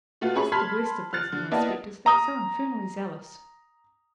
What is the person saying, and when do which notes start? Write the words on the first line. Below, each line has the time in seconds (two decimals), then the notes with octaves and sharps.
That's the worst of these new inspectors, they are so infernally zealous.'
0.21 B2 A3 B3 F4 F#4
0.35 C#4 G#4 E5 B5 C#6
0.52 A5 B5 C6 F6 G#6 B6
1.13 F6 F#6 A6
1.32 D3
1.51 A#3 B3 E4 D5 D#5 A5
2.06 A#5 D#6